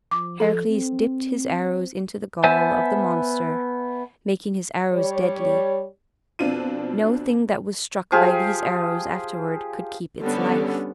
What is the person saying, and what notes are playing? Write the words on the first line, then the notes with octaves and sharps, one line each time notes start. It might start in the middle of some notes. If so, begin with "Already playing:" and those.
Heracles dipped his arrows into the gall of the monster, making his arrows deadly; no thing that was struck by these arrows afterward could keep its life.
F3 D6
F3 A4
C4
B3 C5 E5 G#5 A5
G3 C#5
F2 B2 C4 D4 F4 D#7
F3 G4 G#4 F5
D3 G3 B3 C#4 A4